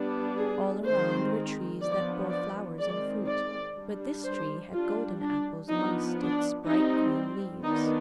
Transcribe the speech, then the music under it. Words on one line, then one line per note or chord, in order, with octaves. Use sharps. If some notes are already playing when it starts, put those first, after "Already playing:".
All around were trees that bore flowers and fruit, but this tree had golden apples amongst its bright green leaves.
Already playing: G3 B3 D4
G#4
D#3 G#3 C4 C5
F3 B3 D4 D5
D5
D#3 G#3 C4 D5
D5
G3 D4
C5
G3 D4 F4
D4
F3 B3 D4 D#4
D4
G3 C4 D#4
D#3 B3 D4 D#4